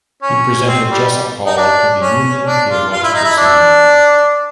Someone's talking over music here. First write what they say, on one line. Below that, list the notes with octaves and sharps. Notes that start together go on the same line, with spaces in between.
He presented Jesup Hall to the Union Theological Seminary.
C#4
C4
G3
D#4
D4
C#4
D4
F4
F4
E4
D#4
E4
D4